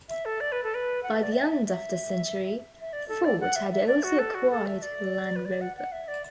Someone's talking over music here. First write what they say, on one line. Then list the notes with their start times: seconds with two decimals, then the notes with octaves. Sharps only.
By the end of the century, Ford had also acquired Land Rover.
0.09 E5
0.25 A4
0.41 D5
0.52 B4
0.64 A4
0.74 B4
1.03 F#5
1.13 E5
1.23 D5
1.32 E5
1.67 E5
2.81 E5
2.93 D5
3.09 A4
3.25 D5
3.41 F#5
3.56 E5
3.72 E5
3.87 D5
4.03 F#4
4.19 A4
4.34 F#4
4.51 A4
4.67 E5
4.82 D5
5.36 B4
5.45 D5
5.61 F#5
5.77 F#5
5.92 E5
6.08 D5